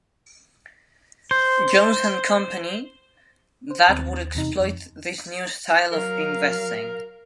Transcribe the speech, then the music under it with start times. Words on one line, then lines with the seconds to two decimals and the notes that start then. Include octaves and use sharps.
Jones and Company, that would exploit this new style of investing.
1.31 C5
3.71 C5
3.88 D#2 C4 A6
4.35 E2 C3 D#4
4.60 F2
5.92 F#3 A#4 F5